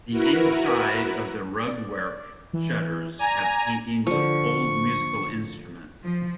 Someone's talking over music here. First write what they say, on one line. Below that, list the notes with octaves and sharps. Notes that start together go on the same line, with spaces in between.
The inside of the 'rugwerk' shutters have paintings of old musical instruments.
E4 F#4 A#4 B4
D5
E3
D5 G#5 A#5
D3 F3 C#6
F3